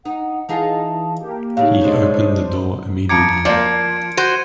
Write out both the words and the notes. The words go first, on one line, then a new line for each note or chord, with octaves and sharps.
He opened the door immediately.
D#4 F#5
E3 D#4 F4 G#4 A5
A#3 G4
A2 C#3 D#4 C#5 F5
G3 G#3 D4 C5
F2 A#5 D6 G#6 C#7 D7
F3 A#3 D5
F#4 C5 D#7